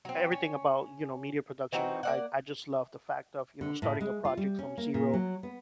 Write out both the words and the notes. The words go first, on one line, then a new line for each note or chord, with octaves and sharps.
everything about, you know, media production I I just love the fact of, you know, starting a project from zero,
F#3 C4
C#4
E3 C4 D#4 F#4
A#3 D5 F#5
D3
A2
G#3
F4
G3
C#4
A#3
A#2
F#3
B3